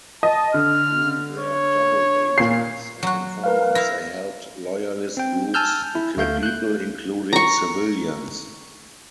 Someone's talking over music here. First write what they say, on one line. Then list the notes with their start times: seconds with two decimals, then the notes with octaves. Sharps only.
Through their double-agents and informers, they helped loyalist groups to kill people, including civilians.
0.23 D#5 A5
0.54 D3 F6
1.38 C#5
2.38 A#2 C7
3.03 F#3 F#4
3.44 A#4 B4 F5
3.75 E4 F5 A#6
5.17 C4 G5
5.54 G#5 A5 E6 F6 G6
5.95 E4
6.17 D2 A3 F5 G6
6.43 F#6 G6
7.33 A#5 C#6